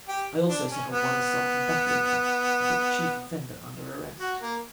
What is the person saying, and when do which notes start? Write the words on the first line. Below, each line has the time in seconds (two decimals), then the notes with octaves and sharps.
I also settled one assault and battery case, and put the chief offender under arrest.
0.08 G4
0.49 D4
0.70 C#4
0.91 B3
4.20 F#4
4.40 A#3